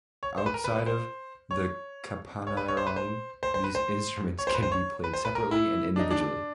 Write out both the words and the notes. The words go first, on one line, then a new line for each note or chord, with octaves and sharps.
Outside of the kapanirong, these instruments can be played separately and individually.
C#5
C5
B4
A#4
B4
B4
C5
C#5
C#5
B4
C#5
C5
B4
C5
C5
C5
B4
C5
C#5
C5
B4
C5
C#5
B4
C5
B4
A#4
E4
D4
D#4
D4
D4